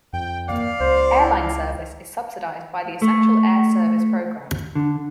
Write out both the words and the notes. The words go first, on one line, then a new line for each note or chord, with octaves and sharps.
Airline service is subsidized by the Essential Air Service program.
F2 G5
A#3 D5 F5
C#2 C5
E4
A3
D3